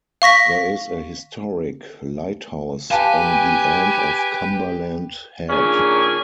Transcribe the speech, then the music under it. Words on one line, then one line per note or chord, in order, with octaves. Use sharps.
There is a historic lighthouse on the end of Cumberland Head.
F5 C#6 A#6 B6
G4 B4 F5 G#5 A5
A#2 D#3 C#4 D4 G#4